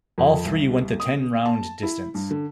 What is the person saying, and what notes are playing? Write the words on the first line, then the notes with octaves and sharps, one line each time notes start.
All three went the ten-round distance.
F2
C2
D#6
A5
E4
G2
D3